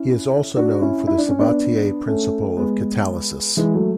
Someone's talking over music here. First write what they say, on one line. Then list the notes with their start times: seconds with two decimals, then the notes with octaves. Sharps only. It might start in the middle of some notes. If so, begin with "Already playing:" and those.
He is also known for the Sabatier principle of catalysis.
Already playing: C#4 E4
0.56 D4 F#4
0.82 C#4 E4
1.07 E4
1.17 D4
1.29 C#4
1.39 B3 D4
2.07 A3 C#4
2.57 G#3 B3
3.57 E3 G#3
3.74 F#3 A3